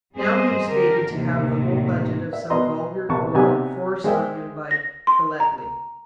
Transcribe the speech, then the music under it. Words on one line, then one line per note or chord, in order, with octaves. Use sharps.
Now he was fated to have the whole budget of some vulgar quarrel forced on him by Galletly.
G3 C4 G#4 C5 D#5
D3 G4 A#4
D#2 A2 C3 D#3
E5
B2 B4 D#5 A#5 C6
A#1 C3 A5 C#6
C3 F#3 B3 D#4 G4 G#5
G#3 C5 E5 G5
A#6
C6
A#5